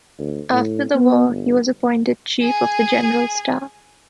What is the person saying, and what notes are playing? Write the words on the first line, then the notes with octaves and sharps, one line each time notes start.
After the war he was appointed Chief of the General Staff.
D2
A2
B3
G1
G#4 G#5